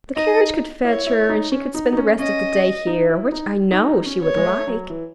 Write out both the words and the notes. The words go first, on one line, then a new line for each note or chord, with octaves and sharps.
The carriage could fetch her, and she could spend the rest of the day here, which I know she would like.'
D#4 D#5
E4 C#5
E4
D#4
C#4
D#4
D#4
C#4
C#4 D#5
D#4
E4
D#4
D#4
D#4
C#4
B3 C#5
G#3
A3
F#3
E3